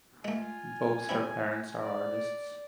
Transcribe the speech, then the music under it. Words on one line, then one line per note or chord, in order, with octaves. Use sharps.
Both her parents are artists.
G#3 A3 F4 G#5
G3 C4 E4
D5